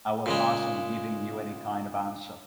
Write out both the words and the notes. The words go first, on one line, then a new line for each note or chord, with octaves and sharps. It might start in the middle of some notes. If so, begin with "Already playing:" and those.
I will pass on giving you any kind of answer.
A#2 C#3 G#3